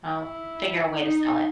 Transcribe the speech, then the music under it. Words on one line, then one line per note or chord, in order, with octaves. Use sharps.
I'll figure a way to sell it
E4
D#4